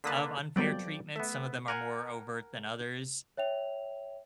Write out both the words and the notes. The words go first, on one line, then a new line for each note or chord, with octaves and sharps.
of unfair treatments. Some of them are more overt than others.
D3 A#3 B4 A5 D#6 B6
F2 F#3 G3 B3 D5 G5
A3 B3 E5
A#4 F#5 G#5
C#5 E5 G5 F7